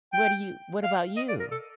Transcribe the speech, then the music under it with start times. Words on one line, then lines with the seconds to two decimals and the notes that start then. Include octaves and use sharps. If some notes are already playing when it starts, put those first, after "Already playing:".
What do you what about you?
0.13 G5
0.83 F5
1.16 D#5
1.28 D5
1.39 A#4
1.51 A4